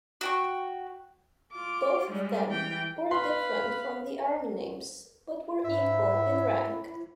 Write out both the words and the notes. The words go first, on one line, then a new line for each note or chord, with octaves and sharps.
Both of them were different from the army names, but were equal in rank.
F#4 G5 C#6
F4 D6
G3 G#3
E3 G5
B4 F5 B5 C6
G#2 E4 E5